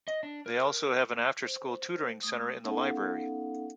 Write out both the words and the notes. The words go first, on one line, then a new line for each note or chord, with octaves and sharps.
They also have an after school tutoring center in the library.
D#5
D4
A#4
C5
A3 D#6
B3 C#4 D#4 A4 F5 F#5